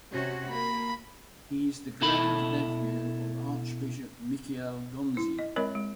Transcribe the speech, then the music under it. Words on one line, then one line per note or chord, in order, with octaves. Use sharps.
He is the grandnephew of Archbishop Mikiel Gonzi.
C3 C#4 F#4
A#3 B5
B2 E4 A4 B5
E4
D#5
G#3 C4 A#4 C#5 D#5 B5
G#3